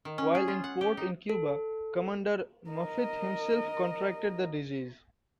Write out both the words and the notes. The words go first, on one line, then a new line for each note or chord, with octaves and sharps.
While in port in Cuba, Commander Maffitt himself contracted the disease.
D#3
C#4
G#4
F4
F#5
G4
D#4
A4
A#4 D#5